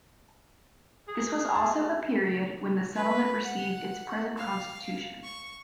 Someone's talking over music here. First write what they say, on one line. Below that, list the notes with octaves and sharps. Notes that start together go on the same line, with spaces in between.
This was also a period when the settlement received its present constitution.
G#4
A5
B4
F#5
F5
C#6